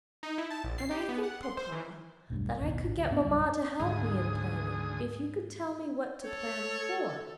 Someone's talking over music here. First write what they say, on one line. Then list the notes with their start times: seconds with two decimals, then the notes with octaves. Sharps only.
And I think, papa, that I could get mamma to help me in planning, if you could tell me what to plan for.
0.23 D#4
0.38 E4
0.50 A5
0.64 A#1
0.78 C7
0.91 G4
1.09 B3
1.23 F#5
1.43 C6
1.57 C5
1.72 E3
2.30 E1 B1 G2 A3
2.60 A1 D#2 B2
2.82 G#1
2.98 D2
3.11 G#2 B3 C#4
3.25 B1 F#2 C#3 G3
3.79 D2 G#2 D#3 G#4 D#6
6.24 A4 C#5